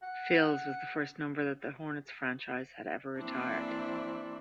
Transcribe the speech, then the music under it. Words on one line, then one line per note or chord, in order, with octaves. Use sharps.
Phills was the first number that the Hornets franchise had ever retired.
F#5
E3 A#3 C4 D4 E4 D5